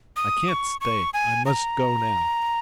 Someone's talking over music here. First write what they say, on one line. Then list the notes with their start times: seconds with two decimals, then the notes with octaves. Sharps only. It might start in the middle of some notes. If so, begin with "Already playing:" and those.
"I can't stay, I must go now...."
0.17 D#6
0.49 C#6
0.81 C#6
1.14 G#5
1.46 A#5